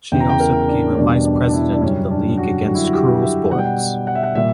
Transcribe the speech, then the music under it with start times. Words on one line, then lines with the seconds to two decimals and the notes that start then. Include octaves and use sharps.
She also became a vice-president of the League Against Cruel Sports.
0.12 E2 C#3 E3 G5
0.20 A#5
0.29 G5
0.40 A#4
0.68 D4
0.90 C#4
0.97 E2 B2 G3 D4
1.25 D4
1.48 D4
1.53 E4
1.72 D4
1.81 F#2 C#3 G3 C#4
2.10 D4
2.38 F#4
2.66 F#2 D3 G3 F#4
2.75 E4
2.84 F#4
2.94 G4
3.22 E5
3.51 B2 F#5
3.54 G3 G5
3.65 F#5
4.07 F#5
4.15 E5
4.23 F#5
4.35 A#2 G3 E5